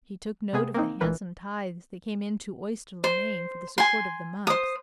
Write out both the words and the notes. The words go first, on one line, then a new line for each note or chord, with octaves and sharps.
He took note of the handsome tithes that came in to Oyster-le-Main for the support of the monks.
C3 B3 G#4
A#3 C4 D#4
A#1 E3 A#4 B4
C5
G#5 C6
C5 D#6